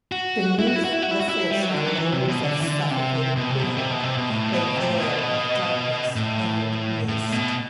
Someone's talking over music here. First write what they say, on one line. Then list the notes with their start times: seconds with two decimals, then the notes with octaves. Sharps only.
Beneath the fish are layers of suffocating wind, a veil of darkness, and mist.
0.12 F#4
0.59 E4
0.67 F#4
0.76 E4
0.85 F#4
0.93 E4
1.02 F#4
1.11 E4
1.20 F#4
1.28 E4
1.51 G3
1.62 F#3
1.74 D3
1.87 F#3
1.98 E3
2.13 C3
2.28 B2
2.44 D3
2.61 E3
2.67 D3
2.91 C3
3.36 B2
3.51 C3
3.63 B2
3.77 C3
3.90 B2
4.03 C3
4.17 B2
4.30 A2
4.53 B2
4.76 C3
4.89 A2
5.00 B2
6.16 A2
7.08 A2
7.32 B2